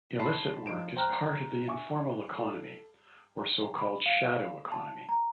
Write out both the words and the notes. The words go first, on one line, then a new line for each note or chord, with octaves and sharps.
Illicit work is part of the informal economy or so called "shadow economy".
A5 B5 C6 B6 C7
F3 D#4 D7 E7
C5 G5 A#5 F6 F#6
E5 G#5 C#6 D6
A4
B5
F5
A5
A#5